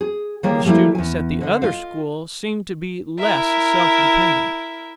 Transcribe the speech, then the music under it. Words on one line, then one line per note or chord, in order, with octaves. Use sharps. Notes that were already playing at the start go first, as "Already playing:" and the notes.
The students at the other school seemed to be less self-dependent.
G#4
D#3 G3 A#3 F4 G#4 C#5
F3 G3 A3 A#3 E4
E2 G#5
D3 D#5
F4 D#5 F5
E4 A#4 E5